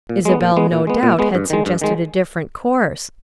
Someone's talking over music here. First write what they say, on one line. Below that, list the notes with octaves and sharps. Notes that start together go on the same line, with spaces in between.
Isabel no doubt had suggested a different course.
A#2
G#3 B3
A#2
G#3 B3
A#2
G#3 B3
A#2
G#3 B3
G2
D#3 G#3
G2
D#3 G#3